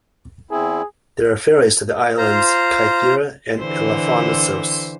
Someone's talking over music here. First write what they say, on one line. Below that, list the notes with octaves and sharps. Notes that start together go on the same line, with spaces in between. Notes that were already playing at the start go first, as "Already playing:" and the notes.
There are ferries to the islands Kythira and Elafonisos.
E2 C4 E4 G#4
F4 C5 A#5
D3 E3 C5